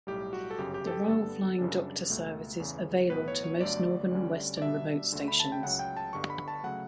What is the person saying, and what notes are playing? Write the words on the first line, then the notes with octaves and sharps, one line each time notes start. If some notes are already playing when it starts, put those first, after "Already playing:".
The Royal Flying Doctor service is available to most northern and western remote stations.
B1 A2 G3 G4
F#4
A4
G1 F#2 C#3 G4
G4
A4
G4
G2 D3 G3 B3 A4
F#2 C#3 G3 D4
C#2 B2 A3
E2 C#3 E3
B1 A2 E3 B3 B4
C#5
C#5
G1 G2 D3 F#3 A3 D5
D2 D3 G3 C#4
D5
B2 G3 D4 E5
D2 D3 A3
B5
A5
G5
C#2 C#3 F#3 F#5
G5
A5
G1 G2 D3 G3 C#6
B5
A5
C#3 F#3 A3 F#5